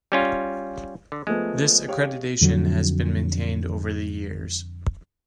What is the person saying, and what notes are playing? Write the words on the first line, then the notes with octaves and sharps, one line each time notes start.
This accreditation has been maintained over the years.
G3 C#4 F4
D3
F3 G#3 A3 B3
G4 C#5 F5
F2 D3 F#3